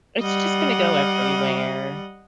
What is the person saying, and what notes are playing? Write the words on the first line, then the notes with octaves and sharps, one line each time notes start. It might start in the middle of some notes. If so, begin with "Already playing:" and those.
It's just gonna go everywhere.
G3 D#5 F#5